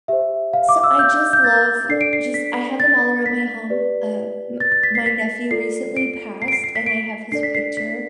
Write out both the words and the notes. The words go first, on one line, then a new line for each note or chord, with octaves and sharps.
So I just love, just I have them all around my home. Uh, m my nephew recently passed and I have his picture
G4 C5 E5
F5
D6
E6
G6
G6
A6
D4 A4 D5 C7
D7
C7
B6
A6
B6
G4 B4 D5
A6
A6
B6
C7
B6
F4 A4 D5 C7
D7
C7
D7
C7
C7
B6
D7
D4 A4 D5 C7
B6
C7
B6